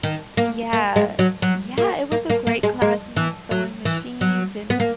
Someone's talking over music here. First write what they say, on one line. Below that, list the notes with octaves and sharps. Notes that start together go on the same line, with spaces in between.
Yeah, yeah, it was a great class, we used sewing machines and
D#3
A#3
A#3
G#3
F#3
F#3
A#3
A#3
A#3
A#3
G#3
G#3
E3
F#3
E3
F#3
B3
A#3